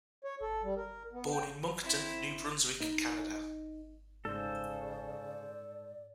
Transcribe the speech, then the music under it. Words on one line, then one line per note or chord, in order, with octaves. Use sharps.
Born in Moncton, New Brunswick, Canada.
C#5
A4
G3
A#4
B3
G5
C4 E4
D#4
G#2 C#3 A4 C5 D5